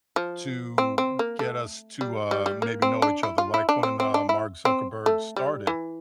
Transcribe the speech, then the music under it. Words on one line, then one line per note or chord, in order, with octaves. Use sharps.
to get us to, uh, maybe know each other, like when, um, Mark Zuckerberg started
F3
C4
C4
A#3
A3
G3
G3
G3
A#3
C4
D4
E4
F4
E4
D4
C4
C4
D4
E4
C4
A3
G3
E3